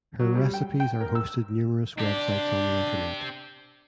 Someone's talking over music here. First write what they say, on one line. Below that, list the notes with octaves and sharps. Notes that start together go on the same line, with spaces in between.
Her recipes are hosted numerous websites on the internet.
F#3
G3
G5
G5
A#4
E6
C4 D4 G4